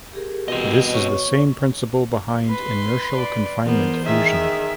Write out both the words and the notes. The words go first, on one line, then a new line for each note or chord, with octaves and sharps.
This is the same principle behind inertial confinement fusion.
G4 G#4 A#4
B2 C4 D#5
C#5 C#6
B4 C6
D5
E2 B3 A#4 C5
D#3 G#4 E5